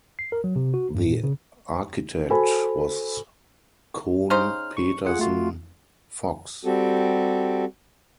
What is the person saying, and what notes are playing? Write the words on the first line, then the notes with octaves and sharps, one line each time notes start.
The architect was Kohn Pedersen Fox.
C7
A#4
F#3
C3
F#4
G2
A#2
C#3
F#4 A4 C5 G#5 B5
C#3 D#4 C5 F6
C#6
F4 G#4 F#5
A3 F4 F#4
G3 C4 F#4 G4 A4